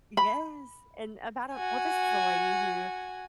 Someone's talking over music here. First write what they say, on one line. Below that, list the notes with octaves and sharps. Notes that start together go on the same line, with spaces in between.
Yes. And about a Well, this is a lady who
B5
F#4 G#5